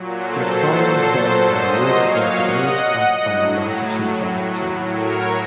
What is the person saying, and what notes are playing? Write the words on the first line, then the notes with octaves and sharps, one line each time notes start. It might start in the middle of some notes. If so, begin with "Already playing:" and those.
McFarlane felt it had a "more progressive edge backed by a massive symphonic sound".
Already playing: A#2 F#3
A4 C5
A4 C5
C5 D#5
C#5 F5
D#5 F#5
A2 F#3
A#4 C#5